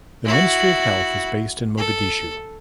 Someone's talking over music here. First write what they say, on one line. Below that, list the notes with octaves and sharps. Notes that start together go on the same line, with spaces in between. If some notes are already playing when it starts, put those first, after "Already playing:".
The Ministry of Health is based in Mogadishu.
E4 F#4
A4